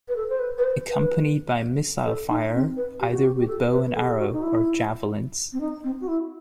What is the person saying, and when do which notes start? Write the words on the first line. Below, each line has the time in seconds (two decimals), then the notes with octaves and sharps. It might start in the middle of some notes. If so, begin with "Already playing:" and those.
Accompanied by missile fire, either with bow and arrow or javelins.
0.08 B4
0.16 A4
0.29 C5
0.39 B4
0.58 B4
0.64 C5
0.87 B4
2.06 A4
2.29 D#4
2.54 C4
2.76 B4
3.00 G4
3.12 F#4
3.24 G4
3.40 G4
3.48 A4
3.71 B4
3.95 A4
4.02 G4
4.09 A4
4.19 F#4
4.33 D#4
4.42 E4
5.52 C4
5.60 D#4
5.84 C4
6.01 F#4
6.08 E4